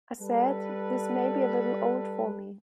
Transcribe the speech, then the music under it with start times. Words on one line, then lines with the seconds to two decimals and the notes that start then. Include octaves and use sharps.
I said, 'This may be a little old for me.
0.20 G3 A4 B4